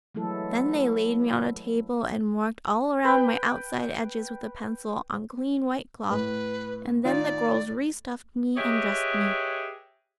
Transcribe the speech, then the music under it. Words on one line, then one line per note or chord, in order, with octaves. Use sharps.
Then they laid me on a table and marked all around my outside edges with a pencil on clean white cloth, and then the girls re-stuffed me and dressed me.
E3 F#3 G#3 A3 E4 A4
B4 G5
A2 B4
D#3 F4 D5
G4 G#4 B4 C#5 D#5 E5